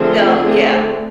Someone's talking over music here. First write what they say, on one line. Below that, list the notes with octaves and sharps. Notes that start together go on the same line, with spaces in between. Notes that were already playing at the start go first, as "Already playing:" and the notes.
No, yeah.
Already playing: D3 F3 A3 C4 G#4
D3 A3 C4